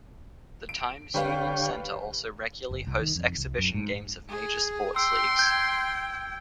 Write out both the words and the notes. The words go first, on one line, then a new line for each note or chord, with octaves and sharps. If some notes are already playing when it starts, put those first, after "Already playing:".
The Times Union Center also regularly hosts exhibition games of major sports leagues.
D7
D3 G3 B4 C#5 F5 G5
F#1
C2
D#3
F2
C2
F#2
G#2
G#4
G5 C6 E6
G6 G#6